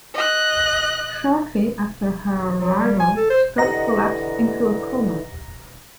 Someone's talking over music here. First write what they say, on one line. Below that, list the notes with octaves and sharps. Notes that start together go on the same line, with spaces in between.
Shortly after her arrival, Scott collapsed into a coma.
D#5 F#6
F#3
G3
G#5
A4
C5
D3 E3 G4 D#5 F#5 A#5 A#6